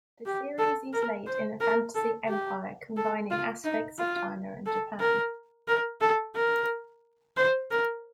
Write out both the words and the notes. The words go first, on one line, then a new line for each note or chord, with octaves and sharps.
The series is laid in a fantasy empire combining aspects of China and Japan.
G4
A4
A#4
C5
A#4
A4
G4
A4
F4
D#4
F4
A4
A#4
A#4
A4
A#4
C5
A#4